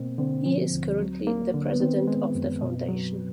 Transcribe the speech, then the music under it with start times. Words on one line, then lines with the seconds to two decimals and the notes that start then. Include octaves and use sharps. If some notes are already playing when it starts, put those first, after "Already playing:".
He is currently the president of the foundation.
Already playing: B2 A#3 C4
0.18 D3 C4
0.46 F3
0.73 D2
1.00 F#3
1.27 A#3
1.54 D3
1.70 B3
1.80 D#3 C4
2.07 G#3
2.35 F#2
2.62 B2
2.88 F#3